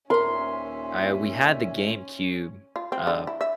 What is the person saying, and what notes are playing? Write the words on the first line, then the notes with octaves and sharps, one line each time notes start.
I we had the GameCube, uh
D#2 A#2 C#4 A#4 E5 A#5 C6
F4
C4
D3
E4
E5